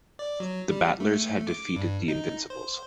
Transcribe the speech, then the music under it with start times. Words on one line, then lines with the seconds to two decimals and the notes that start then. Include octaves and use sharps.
The 'battlers' had defeated the 'invincibles'.
0.19 D5
0.40 F#3
0.69 G3
1.00 A3
1.47 D6
1.76 G2
2.08 D#4
2.50 C5